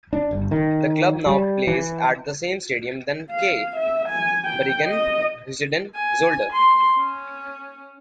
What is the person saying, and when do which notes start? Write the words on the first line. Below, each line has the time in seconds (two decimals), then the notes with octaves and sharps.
The club now plays at the same stadium than K. Beringen-Heusden-Zolder.
0.13 D4
0.31 G1
0.51 D#3
1.26 G3
1.67 E3
3.31 F5
3.76 E5
4.09 G#5
4.45 G5
4.87 D#5
5.95 G#5
6.52 C6
6.98 C#4